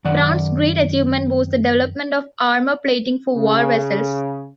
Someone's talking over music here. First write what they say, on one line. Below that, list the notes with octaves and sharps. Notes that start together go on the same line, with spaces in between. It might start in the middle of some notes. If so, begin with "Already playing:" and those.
Brown's great achievement was the development of armour plating for war vessels.
F#2 D#3 D5 F#5
C#3